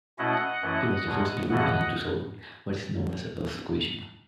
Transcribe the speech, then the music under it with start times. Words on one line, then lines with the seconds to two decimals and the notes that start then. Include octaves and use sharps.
He was the first European to solve what is now known as Pell's equation.
0.18 B2 A3 C#4 E4 D#5 F#5
0.62 F#2 E3 A3 C#4 E4
1.05 E2 B2 G#3
1.49 F#2 C#3 E3 A3 C#4 D#5 F#5